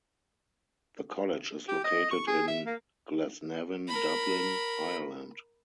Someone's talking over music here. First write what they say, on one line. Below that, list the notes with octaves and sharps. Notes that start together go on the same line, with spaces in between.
The college is located in Glasnevin, Dublin, Ireland.
G4
D#5
C#6
G#4
E5
A#3
A#4 B5